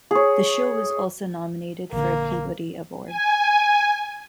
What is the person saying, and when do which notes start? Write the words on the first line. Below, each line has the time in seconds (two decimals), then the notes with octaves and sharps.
The show was also nominated for a Peabody Award.
0.11 G#4 C#5
1.92 A#1 D3 A#3
3.06 G#5